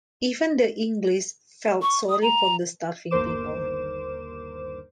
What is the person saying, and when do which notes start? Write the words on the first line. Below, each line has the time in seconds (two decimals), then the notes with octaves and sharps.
Even the English felt sorry for the starving people.
1.82 C#6
2.09 D#6
2.22 A#5
3.10 G1 D#2 A#4 C5 D6 E7